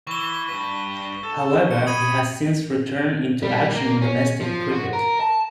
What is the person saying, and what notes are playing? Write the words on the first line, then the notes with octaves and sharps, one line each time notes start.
However he has since return in action in domestic cricket.
E3 C#6 G7
G2 B4
A4
A2 C5 C#7
B5 D#6 G#6 D#7
G3
A#3
C#4
F3
F#4
A#4
A5